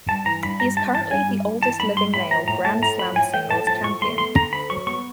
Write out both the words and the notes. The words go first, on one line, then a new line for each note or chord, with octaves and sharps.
He is currently the oldest living male Grand Slam singles champion.
G2 A5
E3 A#5
G2 B5
G3 A#5
G2 A5
E3 A5
G2 G#5
G3
G2
E3 A5
G2 B5
G3 C6
A2 B5
F3 A#5
A2 A#5
A3 A5
A2 A#5
F3 B5
A2 G#5
A3 G5
A2 A5
F3 A5
A2 C#6
A3 C6
B3 C6
D3 A#5
D2 B5
F#3 C#6
B3 C#6